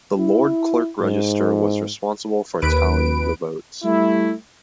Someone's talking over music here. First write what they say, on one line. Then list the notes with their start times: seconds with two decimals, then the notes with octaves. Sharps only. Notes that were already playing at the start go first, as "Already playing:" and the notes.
The Lord Clerk Register was responsible for tallying the votes.
0.19 E4
1.02 G#2
2.62 D#2 B4 D7
3.84 G3 A3 E4